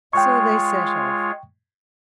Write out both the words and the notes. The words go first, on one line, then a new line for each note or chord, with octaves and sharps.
So they set off.
G#3 F4 C#5 G5 C#6